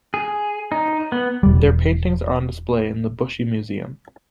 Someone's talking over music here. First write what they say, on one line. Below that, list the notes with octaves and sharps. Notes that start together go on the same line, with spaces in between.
Their paintings are on display in the Bushey Museum.
G#4
D#4
B3
E1 G3